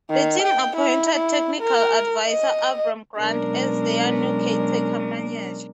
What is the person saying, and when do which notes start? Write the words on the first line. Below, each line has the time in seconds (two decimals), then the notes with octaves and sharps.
The team appointed technical advisor Avram Grant as their new caretaker manager.
0.10 D#3
0.43 G5
0.77 E4
1.16 E4
1.61 A#4
2.28 D#5
3.19 B2 F#3 G#3 C#4 D4 A#4